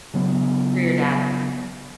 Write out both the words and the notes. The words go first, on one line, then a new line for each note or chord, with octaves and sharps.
For your dad.
C#3 F#3 B3